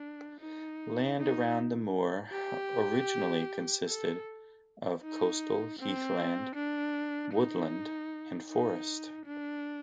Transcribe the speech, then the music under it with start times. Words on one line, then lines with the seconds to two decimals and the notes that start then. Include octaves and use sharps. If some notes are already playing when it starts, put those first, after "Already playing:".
Land around the Moore originally consisted of coastal heathland, woodland, and forest.
Already playing: D4
0.40 D#4
1.17 D#4
2.32 G4
3.87 A4
5.02 D#4
5.79 C4
6.56 D4
7.33 D#4
8.50 D#4
9.26 D4